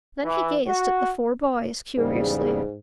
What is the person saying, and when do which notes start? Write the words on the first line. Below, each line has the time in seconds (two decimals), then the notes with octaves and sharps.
Then he gazed at the four boys curiously.
0.24 E3
0.68 F#4
1.97 E2 G#2 C#3 G3